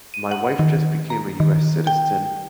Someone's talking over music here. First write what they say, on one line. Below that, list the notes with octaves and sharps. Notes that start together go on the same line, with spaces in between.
My wife just became a US citizen,
D#7
F#5
D#3
A#5
D#3
G5